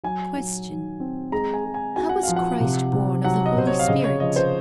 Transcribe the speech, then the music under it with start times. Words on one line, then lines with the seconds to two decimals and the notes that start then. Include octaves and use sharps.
Question.--How was Christ born of the Holy Spirit?
0.04 F#3 G#5
0.36 F#3
0.68 D#3
1.00 C4
1.32 G#3 A#5
1.54 G#5
1.65 G#3
1.74 G#5
1.96 F#4 G#5
2.09 F#5
2.23 F3 F5
2.36 F#5
2.60 C3
2.92 C3
3.24 F#3 F#5
3.46 D#5
3.56 C3 C5
3.67 C#5
3.79 F5
3.88 C#3 D#5
4.04 C#5
4.20 F3 D#5
4.36 C5